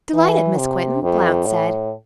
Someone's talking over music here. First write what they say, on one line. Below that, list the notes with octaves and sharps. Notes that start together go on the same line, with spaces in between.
"Delighted, Miss Quinton," Blount said.
E3
C3
F2
A2